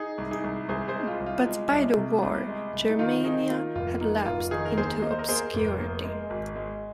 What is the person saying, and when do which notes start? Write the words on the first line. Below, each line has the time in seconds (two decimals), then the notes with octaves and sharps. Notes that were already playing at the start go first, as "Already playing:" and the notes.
But by the war, "Germania" had lapsed into obscurity.
Already playing: D#4 G#4
0.18 C2
0.31 D#4 G#4
0.44 C2
0.69 C2 G#4 C5
0.88 G#4 C5
0.95 G#3
1.08 F4
1.20 C2
1.26 F4
1.46 G#3
1.72 C2
1.97 C3
2.22 C2
2.47 G#3
2.73 C2
2.89 D#4
2.99 D#3 F4
3.24 D#3 D#4 G#4
3.49 A#3 F4
3.75 F1 F4
4.01 A#3 D#4
4.26 F1 F4
4.51 D#3 D#4 G#4
4.65 A#4
4.77 D#2 G#4 C5
5.02 A#3 D#5
5.11 C5
5.19 A#4 D#5
5.28 A#3 G#4 C5
5.54 F1
5.79 A#3
6.04 G#3
6.30 G#1
6.56 G#3